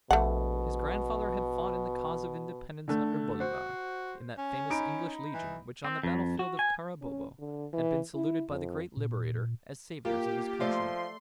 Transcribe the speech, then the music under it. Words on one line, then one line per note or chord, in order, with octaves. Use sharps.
His grandfather had fought in the cause of independence under Bolivar, in that famous English legion which on the battlefield of Carabobo had been saluted by the great Liberator as Saviours of his country.
A#1 B2 A3 F#5
D3 A3
F#4 C5
C#4
D#4 B5 D7
E3
C4
F2
F#4
G#5
C#4
D3
E3
E4
F2
A#2
A#3 F4 G4
F3 A3 D5 E5 C6